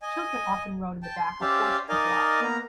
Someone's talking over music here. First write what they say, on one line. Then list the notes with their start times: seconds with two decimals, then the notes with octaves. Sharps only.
Children often rode in the back of horse travois.
0.02 D#5 G#5
1.03 G5 A5
1.16 C6
1.41 C#4 G4 C5 D5 E5 F5
1.89 D#4 A#4 D5 D#5 F5 G#5
2.41 A#3 B3 A#5